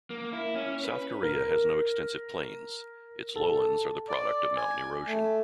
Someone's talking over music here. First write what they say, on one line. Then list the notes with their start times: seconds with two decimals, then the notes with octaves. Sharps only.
South Korea has no extensive plains; its lowlands are the product of mountain erosion.
0.10 A#3
0.33 E4
0.55 C#4
0.84 B4
1.23 A#4
3.36 A4
4.09 D5
4.56 G#5
5.07 A3